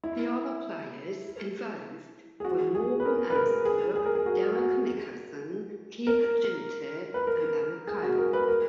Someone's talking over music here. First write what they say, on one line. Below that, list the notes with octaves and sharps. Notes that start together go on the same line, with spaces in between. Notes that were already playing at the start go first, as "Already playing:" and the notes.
The other players involved were Morgan Ensberg, Derrek Nicholson, Keith Ginter, and Eric Cole.
E4
G#4
F#4
G#4
B4
A#4
B4
A#4
G#4
G#4
A#4
G#4
F#4
F#4
A#4
B4
A#4
G#4
F#4
A#4
B4
A#4